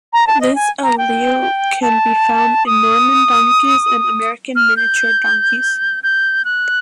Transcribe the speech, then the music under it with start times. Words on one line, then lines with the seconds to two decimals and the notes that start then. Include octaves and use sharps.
This allele can be found in Norman donkeys and American miniature donkeys.
0.13 A#5
0.27 A5
0.41 D#5
0.55 G#5
0.83 A#5
0.98 G5
1.82 A5
2.66 D#6
4.56 F6
4.77 G6
6.03 G6
6.45 F#6